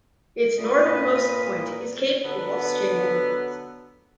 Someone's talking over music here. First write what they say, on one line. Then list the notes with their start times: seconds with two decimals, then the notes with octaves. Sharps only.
Its northernmost point is Cape Wolstenholme.
0.58 A#2 B4 D#5
2.24 D3 F#3 B3